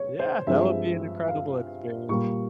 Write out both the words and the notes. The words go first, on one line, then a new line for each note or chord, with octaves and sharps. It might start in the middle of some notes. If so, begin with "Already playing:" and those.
Yeah, that would be an incredible experience.
Already playing: C#5
C5
G2 F3 G#3 C4 E5
F5
A#2 G3 A#3 C#6